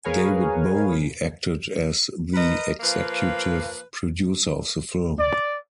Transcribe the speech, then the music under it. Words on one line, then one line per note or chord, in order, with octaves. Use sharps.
David Bowie acted as the executive producer of the film.
G#4 A#4 B4 C#5 F5 G#5
A#4 B4 D#5
F3 A#3 B4
D5